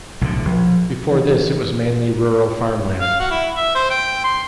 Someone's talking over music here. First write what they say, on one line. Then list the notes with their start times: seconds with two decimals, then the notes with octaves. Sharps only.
Before this it was mainly rural farmland.
0.21 B1 A2 D3
0.45 A#1
1.12 E3 D#4 G4
3.01 F5
3.19 F#4
3.31 E4
3.56 E5
3.75 C5
3.90 G5
4.24 C6